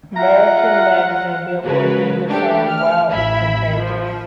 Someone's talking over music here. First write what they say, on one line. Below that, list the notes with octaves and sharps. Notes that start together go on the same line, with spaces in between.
American magazine "Billboard" deemed the song "wildly contagious".
F4 E5 F#5 A#5
C#3 G#3 F#4 A#4 B4
A3 D4 G4 A4
F6
A1 E4 E5 B5
F3